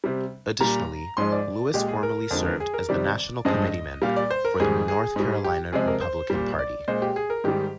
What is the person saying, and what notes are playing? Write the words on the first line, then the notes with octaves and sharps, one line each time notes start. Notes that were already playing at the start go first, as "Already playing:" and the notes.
Additionally, Lewis formerly served as the National Committeeman for the North Carolina Republican Party.
C3 G3
A#2 G3 A#5
G#2 F3 G#3 C6
D5
A#2 G#3 G4
G#4
A#4
F2 D3 F3 G#3
G#4
A#4
C3 D#3 G3 D5
G2 F3 G#3 D#5
A#2 G3 F5
D5
C5
A#4
G#2 D#3 G3 G#4
G#4
G#2 G3
G4
C3 F3 G#3 G#4
A#4
C5
A#2 G3
D5
A#2 G#3 C5
G4
G#4
A#4
G#2 D#3 G3 G4